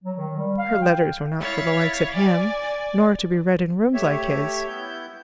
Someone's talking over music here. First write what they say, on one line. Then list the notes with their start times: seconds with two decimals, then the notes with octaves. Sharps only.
Her letters were not for the likes of him, nor to be read in rooms like his.
0.04 F#3
0.18 D#3
0.37 G3
0.58 F5
0.82 G5
1.39 E4 C#5 F5 A6
2.13 D5 G#5
3.94 A3 G4 C#5 E5
4.67 B3 E4 G6